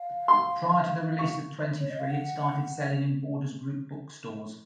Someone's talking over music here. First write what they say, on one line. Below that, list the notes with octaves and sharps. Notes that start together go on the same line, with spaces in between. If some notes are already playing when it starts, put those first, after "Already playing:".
Prior to the release of twenty-three it started selling in Borders Group book stores.
Already playing: F5
C6
C#6
C#5
D#5
F5
F#5